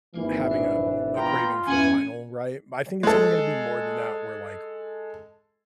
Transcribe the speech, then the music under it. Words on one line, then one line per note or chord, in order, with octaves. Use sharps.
having a a craving for vinyl, right? But I think it's even gonna be more than that where, like,
G#1 E3 A#3
B1 G2 D4
B3 F4 G5 A#5
E2 E3 C#4 F#5 G#5
G#3 A4